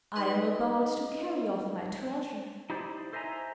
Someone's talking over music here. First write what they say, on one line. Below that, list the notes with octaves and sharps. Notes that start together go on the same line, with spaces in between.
I am about to carry off my treasure.
D#4 B4 D#5
D#4 E4 G4 C5 D5
A4 C5 D#5 E5 G#5 A#5